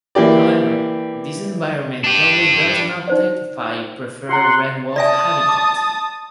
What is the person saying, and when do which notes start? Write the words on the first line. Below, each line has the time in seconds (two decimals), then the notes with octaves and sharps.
However, this environment probably does not typify preferred red wolf habitat.
0.15 E3 A#3 G4 D5
2.04 D4 G4
3.08 D#4 C5 D5
4.29 F#4 F#5 A#5 C6
4.96 D5 E5 G#5 A5 D#6
5.49 D6